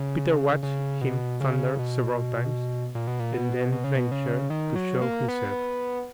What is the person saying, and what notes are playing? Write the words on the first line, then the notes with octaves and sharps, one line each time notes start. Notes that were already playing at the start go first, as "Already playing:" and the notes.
Peter watched him thunder several times and then ventured to show himself.
Already playing: C#3
C#3
B2
C#3
B2
A#2
B2
A#2
B2
B2
C#3
B2
C#3
D#3
F#3
A#3
B3